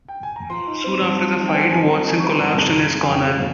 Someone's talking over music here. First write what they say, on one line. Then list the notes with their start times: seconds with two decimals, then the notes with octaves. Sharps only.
Soon after the fight Watson collapsed in his corner.
0.09 G5
0.23 G#5
0.36 A#5
0.50 F3 C6
0.67 D#4
0.84 C4
1.02 G2
1.20 F3
1.37 D#4
1.48 G5
1.54 C4 G#5
1.71 G2 G#5
1.89 F3 A#5
2.06 D#4 G#5
2.19 C4 C#6
2.30 C6
2.40 G2 A#5
2.59 C#3
2.75 F2
2.93 G#3
3.01 G#5
3.10 F2 G5
3.27 C#3 F5